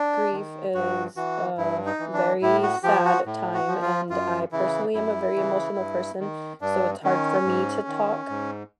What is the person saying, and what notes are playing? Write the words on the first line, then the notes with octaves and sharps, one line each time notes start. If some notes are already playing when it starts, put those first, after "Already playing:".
grief is a very sad time, and I personally am a very emotional person, so it's hard for me to talk,
Already playing: D4
D#3
G2 F#4
E3 F#4
G2 E4
D#4
E3
D4
A2 E4
F#4
F3 G4
F#4
A2
F#4
F3
F4
F#2 F4
C#3 E3 E4
F#2 E4
C#3 E3
G2
D#3
G2 D4
D#3 C#4
G#2
D#3
G#2